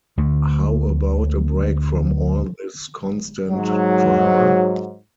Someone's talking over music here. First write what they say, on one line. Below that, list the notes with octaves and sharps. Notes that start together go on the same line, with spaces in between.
How about a break from all this constant drama?
D2 D3 A3
G#2 F#3